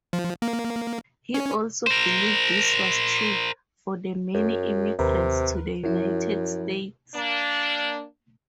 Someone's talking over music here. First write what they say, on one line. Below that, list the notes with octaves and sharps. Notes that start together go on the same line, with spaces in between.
He also believed this was true for the many immigrants to the United States.
F3
A#3
C#4
A#4 C5
F#2
D#2 C3 A#4 B4
F#2 F3 E4
A#3 D4